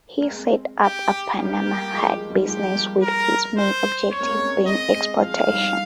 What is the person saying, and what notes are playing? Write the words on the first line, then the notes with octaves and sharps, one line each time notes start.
He set up a Panama hat business with his main objective being exportation.
A#3
G#3 C4
G4
G3 A#3 G4
G3 A#3
F3 G#3
F3 G#3
D#3 G3
F3 G#3 G4
G3 A#3
A#4
C5
C4 C#5
A#3
G#3 C4
A#3 C#4
G#3 C4 D#5
G#3 C4
F3 G#3 F5
D#3 G3